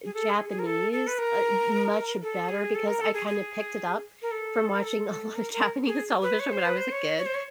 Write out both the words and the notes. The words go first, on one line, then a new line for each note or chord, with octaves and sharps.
Japanese, uh, much better because I kind of picked it up from watching a lot of Japanese television when I was a kid.
G#4
A4
G#4
G#4
A#4
A4
A4
B4
A#4
A4
G#4
A4
A#4
A4
G#4
G#4
A#4
A4
A#4
A4
A4
A#4
A#4
G#4
B4
C#5
C5
B4
C5
C#5
C#5
C5
C#5